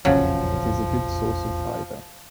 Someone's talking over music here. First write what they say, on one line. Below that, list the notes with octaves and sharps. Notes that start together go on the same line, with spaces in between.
It is a good source of fiber.
E1 A#1 F2 C#3 F3 F#3